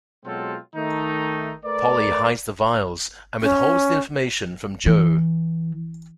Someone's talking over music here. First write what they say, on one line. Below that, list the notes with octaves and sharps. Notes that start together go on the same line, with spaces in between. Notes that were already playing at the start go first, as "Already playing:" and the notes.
Polly hides the vials and withholds the information from Joe.
B2 F#3 G#3 C4 F4 A4
D#3 A3 D#4
A3 A#4 B4 D5
C#4
E3